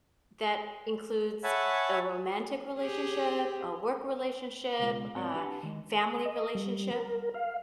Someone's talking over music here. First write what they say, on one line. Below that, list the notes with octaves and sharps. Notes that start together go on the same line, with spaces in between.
that includes a romantic relationship, a work relationship, uh, family relationship.
C#5 E5 F#5 G#5 A5 B5
G4 G#4
C#2 B2 G#3 F4
G#2 C4 C#5 D5 G5
D4 G4 B4 F#5 A5
D#3 G#3
D#5
G3
A#4
F5